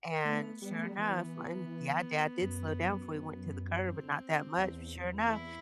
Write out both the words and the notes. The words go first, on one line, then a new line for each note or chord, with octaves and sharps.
and, sure enough and, yeah, dad did slow down before he went into the curve, but not that much. Sure enough,
A3 B3
G3 B3
A3
G3
E3 B3
F#2
C4
E2
E4